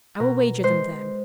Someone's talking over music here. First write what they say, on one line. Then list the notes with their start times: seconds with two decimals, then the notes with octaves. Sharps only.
"I will wager them, then."
0.20 B2 A#4
0.63 G#3 C5